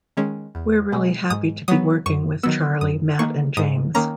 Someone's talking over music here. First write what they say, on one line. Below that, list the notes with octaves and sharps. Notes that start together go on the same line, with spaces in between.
We're really happy to be working with Charlie, Matt and James.
D#3 G#3 C#4
E2
B2 G#3
G#2 D#6
F#3 B3 D#6
F#2 C#6
D#3 F#3 B3 E6
F#2 D#6
D#3 A#3 C#6
G#2 D#6
D#3 A#3 C#4 A#5